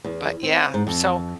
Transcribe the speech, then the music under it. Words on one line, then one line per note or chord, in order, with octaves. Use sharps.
but yeah, so
E2
C4
G#2
F2